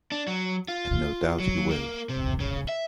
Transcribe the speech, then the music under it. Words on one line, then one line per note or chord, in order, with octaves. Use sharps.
And no doubt he will.
D4
F#3
F4
F#3
A#3
C3
C#3
E5